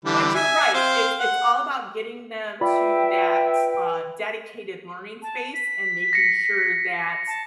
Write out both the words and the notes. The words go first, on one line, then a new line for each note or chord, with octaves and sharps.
but you're right, it's it's all about getting them to that, uh, dedicated learning space and making sure that
D3 E3 G3
E5 G#5
C4 C5 F5
F#5
F4 B4 D5 E5 G5 B5
A5
B6
A#6 C7 C#7
A5